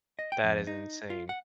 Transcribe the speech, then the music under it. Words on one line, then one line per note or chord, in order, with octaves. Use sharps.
That is insane.
D#5
G5
F2
D#4
F4
F#5